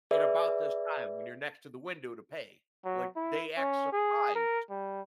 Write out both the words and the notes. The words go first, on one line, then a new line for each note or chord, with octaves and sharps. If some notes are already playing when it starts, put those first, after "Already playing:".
in about this time when you're next to the window to pay?" Like, they act surprised.
G#4 B4 D5 E5
F#3
E4
C#4
G#4
A#4
G3